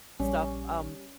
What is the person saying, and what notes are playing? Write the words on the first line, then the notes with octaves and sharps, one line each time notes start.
stuff, um,
A#1 G3 C#4